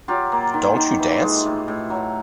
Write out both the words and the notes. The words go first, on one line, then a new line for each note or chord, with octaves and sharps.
Don't you dance?
F#3 F4 G4
A#3
D#3
D#3
E3
G#3
A2
A2
F#3